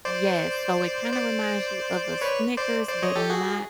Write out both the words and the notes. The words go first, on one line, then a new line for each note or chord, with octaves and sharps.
Yes, so it kind of reminds you of a Snickers but not
C5 D5
C5 D5
B4 C#5
C5 D5
C5 D5
C#5 D#5
G4 A4
F#4 G#4